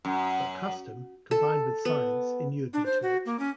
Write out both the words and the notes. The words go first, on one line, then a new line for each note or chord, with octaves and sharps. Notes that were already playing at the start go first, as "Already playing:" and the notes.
But custom, combined with science inured me to it.
F#2
A4
B3
D4
C5
F#4
A#3
C#4